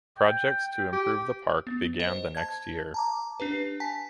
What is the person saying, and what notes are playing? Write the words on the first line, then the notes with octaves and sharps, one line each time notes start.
Projects to improve the park began the next year.
G5
G4
B3
C5 D#5
A5 G#6
A5 A#5 D6
D4 G4 B4
G#5 A5 B6